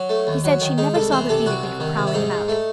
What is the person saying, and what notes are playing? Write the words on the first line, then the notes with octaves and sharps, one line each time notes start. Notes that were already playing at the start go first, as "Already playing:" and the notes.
She said she never saw the beat of me for prowling about.
Already playing: F#3 C#4
A3
D#2
F#3
D#3
G#3 D#4
C2 A4
E3 C5
C3 A4
C2 F#4
C2
D#3
C3
E4
G#2 D#4
G#2
A3